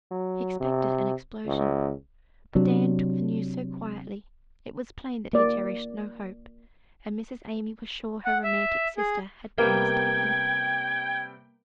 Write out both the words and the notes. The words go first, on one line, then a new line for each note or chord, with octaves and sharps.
She expected an explosion; but Dan took the news so quietly, it was plain that he cherished no hope; and Mrs Amy was sure her romantic sister had been mistaken.
F#3
C3
C#2
C3 F#3 D4
A#3 D5
F#5
E5
G#4
C3 G3 A#3 B3 G5 G#6